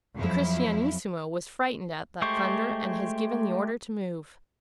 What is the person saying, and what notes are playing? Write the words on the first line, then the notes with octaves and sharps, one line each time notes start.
The Cristianissimo was frightened at that thunder, and has given the order to move.
F2 F3 F#3 E4
G#3 A3 G4 C5 C#6